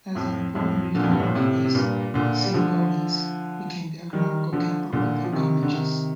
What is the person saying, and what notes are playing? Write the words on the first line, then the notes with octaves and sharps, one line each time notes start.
As an important regional marketplace, Saint-Gaudens became the economic capital of the Comminges.
F2 A2
F2 A2
A#2 D3
F2
G2
A2
A#2
A2 C3
C3
G2 A#2
A#2 D3
G3
D3 F3
D#3 G3
D3 F3
A#2 D3
F3
C3 D#3
D3
C3 D#3